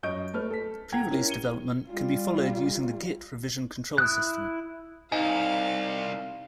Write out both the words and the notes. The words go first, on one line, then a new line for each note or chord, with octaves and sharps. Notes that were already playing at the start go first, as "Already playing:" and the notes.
Prerelease development can be followed using the git revision control system.
F#2 D#5 C#6 G6 D7
A3 B4 F6
A4 B6
F#5 G5 A#5 G#6
C#4 E4 G4 A#4
C#7 D#7 G7
G3 F4
E4 D#6 F#6
C2 D#4 F5 G#5